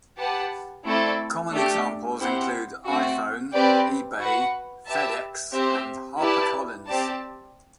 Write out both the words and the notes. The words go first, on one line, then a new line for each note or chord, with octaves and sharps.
Common examples include "iPhone", "eBay", "FedEx", and "HarperCollins".
G4 B4 F#5 A5
A3 C4 E4 A4 D5
A3 D4 G4
C4 E4 G4 C5 F#5
A3 C4 F#4
C4 G4 B4 D5 G5
F#4 B4 F#5
G4 B4 E5 A5
C4 G4 C5 E5
E4 G4 B4 D5 A5
C4 G4 D5 A5